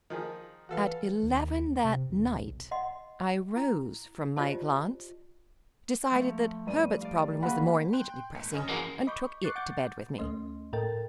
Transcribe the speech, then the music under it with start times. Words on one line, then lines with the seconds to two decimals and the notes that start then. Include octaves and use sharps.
At eleven that night I rose from my glance, decided that Herbert's problem was the more immediately pressing, and took it to bed with me.
0.10 D#3 F3 G#4
0.69 E3 F#4 A4 F5
1.23 D#2
1.84 C3
2.10 D#1
2.35 B1
2.71 D#5 F#5 C6
3.56 E4
4.37 F4 G4 C5 D5 D#5 A5
6.11 F3 A3
6.67 G2 G3 D#7
7.01 D5 F5
7.43 A#3 F#4 G#4 F5 F#5 B5
7.93 G5 C6 F#6
8.35 G#1 C#7
8.52 F#2 C#4 D#5
8.69 E3 A#3 F#4 G#4
9.07 D#5 B5 C#6 D6 G6
9.42 C#6 D6 F#6 A6 C7 C#7
9.56 F#5 D6 G6 A6
10.18 D2 A3 C#4 D#5 C6
10.73 A2 A4 A#4 D#5 G5 A6